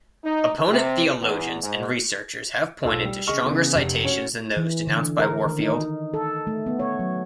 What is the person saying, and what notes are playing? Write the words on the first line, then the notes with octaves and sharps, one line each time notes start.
Opponent theologians and researchers have pointed to stronger citations than those denounced by Warfield.
D#4
C3
E2
G#2
B1 F4 A4 F5 E6
G3
C#3 G#4 D#5 C#6 F6
C#3 E3 B3
F1
C#4 F#4 C#5
E3
D3
A#4
D#3
D#4
A4
A3
B3
C#5
F#3